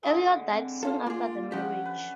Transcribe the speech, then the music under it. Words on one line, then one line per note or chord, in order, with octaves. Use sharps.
Elliott died soon after the marriage.
D3 E3 G#3
C4
F4 A4 F5
A#3 F4 G#4 D5
F3 C#4 G4 F#5 B5
B4